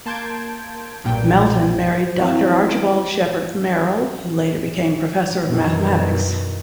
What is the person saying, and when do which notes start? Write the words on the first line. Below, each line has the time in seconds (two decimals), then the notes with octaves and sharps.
Melton married Doctor Archibald Shepard Merrill who later became Professor of Mathematics.
0.06 A#3 A5 C6 G6 G#6 D7
1.04 B1 G2 A#2 G5
2.18 E3 F#3 C4 F4
5.47 F#2 B2 D#3 E3